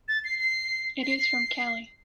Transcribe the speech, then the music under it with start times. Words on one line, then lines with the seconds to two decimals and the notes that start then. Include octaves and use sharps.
It is from Cali.
0.08 A6
0.24 C7
0.40 C7
1.03 C7
1.19 C7